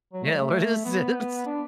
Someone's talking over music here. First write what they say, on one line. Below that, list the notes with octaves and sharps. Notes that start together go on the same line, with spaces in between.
yeah, what is this?
F#3
A3
F#3
A3
B3
D4